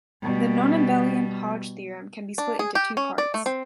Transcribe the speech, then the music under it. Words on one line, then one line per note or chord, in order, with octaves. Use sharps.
The nonabelian Hodge theorem can be split into two parts.
B2 G3
D4
G#4
G4
C#4
D5
A3
C4